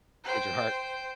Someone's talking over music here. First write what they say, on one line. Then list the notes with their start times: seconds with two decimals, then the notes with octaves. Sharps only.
Get your heart
0.25 C5 G5